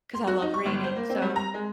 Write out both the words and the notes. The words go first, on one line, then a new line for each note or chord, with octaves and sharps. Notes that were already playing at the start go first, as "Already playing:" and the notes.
'cause I love reading, so
C6
F#4
D#4
C#6
G1
C5
A#3
C4
G3
A#5
G#3